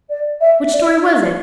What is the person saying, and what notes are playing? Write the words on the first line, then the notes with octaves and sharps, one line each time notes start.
"Which story was it?"
D5
E5
D5
E5